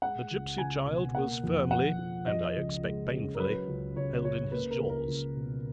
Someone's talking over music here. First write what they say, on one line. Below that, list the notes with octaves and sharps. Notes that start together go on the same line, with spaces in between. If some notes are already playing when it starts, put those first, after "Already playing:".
The gipsy child was firmly, and I expect painfully, held in his jaws.
G#3 F#5
C#2
C#2 G#5
B2
A#3 F#5
F2
F2 F#5
F3
F3 D#5
C#2
G#3
C#3
A#4
F#3 B4
C#2
C#2 C#5
C#3 C#5
A#3 B4
A#4
C#2
A#4
C#2
B2